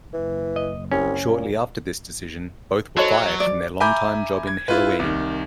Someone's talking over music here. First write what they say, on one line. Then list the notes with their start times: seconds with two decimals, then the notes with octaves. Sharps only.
Shortly after this decision, both were fired from their long-time job in Helloween.
0.13 F#1 E3
0.56 D#5
0.92 C2 C#4
1.28 A#2
2.97 F#3 F#4 A4 C5 C#5 D#5
3.40 D5
3.80 E5 G#5 A#5 B5 D6 G6
4.47 G#6
4.68 E4 F4 B4
4.99 C2 D#3